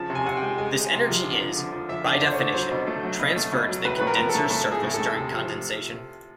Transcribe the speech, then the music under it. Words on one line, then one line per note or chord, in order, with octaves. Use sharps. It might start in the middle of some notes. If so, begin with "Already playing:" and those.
This energy is, by definition, transferred to the condenser's surface during condensation.
Already playing: C#3 F3 A5
C3
G#5
C3 F#5
G5
G#3
G#3 G#5
G#3
C3
F3
D3
F3
D3
F3
F3 E5
D3
D5
D3 C5
C#5
D3
F#3 C5
B2
A3
F#3
B2
A3
B2
F#3
A2 B4
A2 B4
A#4
F3
A4
A2
A2 A4
A2
G#4
A2
A4
A2
C3
F3